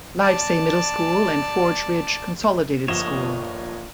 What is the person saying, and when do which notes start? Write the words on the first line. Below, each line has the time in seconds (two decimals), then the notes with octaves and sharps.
Livesay Middle School and Forge Ridge Consolidated School.
0.20 D5 A5
2.88 G1 A#2 F3 C#5 D#5 E7